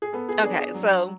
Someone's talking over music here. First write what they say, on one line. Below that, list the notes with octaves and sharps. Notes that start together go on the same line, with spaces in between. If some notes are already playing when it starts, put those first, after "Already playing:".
Okay, so
G#4
B3 A4
G#4
D4 G#4
G#4
F#3